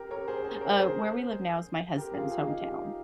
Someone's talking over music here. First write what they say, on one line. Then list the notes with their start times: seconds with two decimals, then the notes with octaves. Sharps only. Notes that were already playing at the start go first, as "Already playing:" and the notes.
Uh, where we live now is my husband's hometown.
Already playing: G4 A#4
0.11 A#4 C#5
0.28 G#4 C5
0.44 G#4 C5
0.61 A#4 C#5
0.78 G#4 C5
1.96 G4 A#4
2.14 F4 G#4
2.31 F4 G#4
2.47 D#4 G4